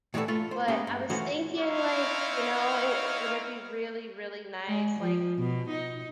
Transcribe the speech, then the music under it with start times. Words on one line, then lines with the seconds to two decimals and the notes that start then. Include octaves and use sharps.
But I was thinking, like, you know, it it would be really, really nice, like,
0.14 A2 E3 G3 F4 F#4 A4
0.28 A3 F4 A4 B4
0.51 C5
0.68 G#3 A#3 B3 C#4 G4
0.87 G2
1.10 E3 F3 A3 C#4 F#4
1.58 C4 D#4 E4 C#5 F5
4.68 G#3
5.00 F3
5.38 B2
5.70 D#4